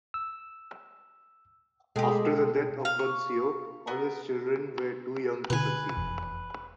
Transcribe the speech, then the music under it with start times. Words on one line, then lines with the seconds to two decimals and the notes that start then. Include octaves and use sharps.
After the death of Bunseo, all his children were too young to succeed.
0.14 E6
1.96 B2 G#3 G4 A4 G5
2.85 F5
2.99 C#6
3.87 B3 A#4
5.50 B2 D3 B4 G#5
5.96 F1 E2